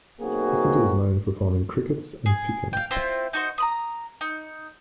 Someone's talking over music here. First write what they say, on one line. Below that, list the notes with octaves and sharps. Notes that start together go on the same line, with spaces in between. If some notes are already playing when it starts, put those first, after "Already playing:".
The city is known for farming crickets and pecans.
B1 A#3 C4 F#4 G#4
G#4
F5 G5
C4 E4 F4 C5
D#4 F#4 C5
A#5 B5 D#6
D#4